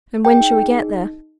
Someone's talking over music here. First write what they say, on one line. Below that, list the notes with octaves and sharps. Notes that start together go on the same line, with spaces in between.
"And when shall we get there?"
G#4 G5
D#4
G#4
D#4